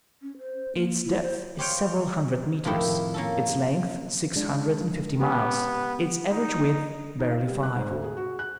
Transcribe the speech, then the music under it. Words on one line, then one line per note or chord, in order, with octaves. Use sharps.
Its depth is several hundred metres, its length six hundred and fifty miles, its average width barely five.
C#4
C5
A#3
E4
C5
G4 C5 C#5 F5 G5
F2 A2 D#3 E4 G4
A#3 C#4 A4
G#3 D4
B3 G4
D#4
D#4
F5
G3
F#6
G#2
D2
G#4
F#4
F#6